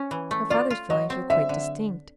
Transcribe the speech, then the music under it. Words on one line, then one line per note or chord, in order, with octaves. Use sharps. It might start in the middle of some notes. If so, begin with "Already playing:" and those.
Her father's feelings were quite distinct.
Already playing: C#4
E3
A3
F4 D5
F4
F#3 D#5
C4
D3 E5
D3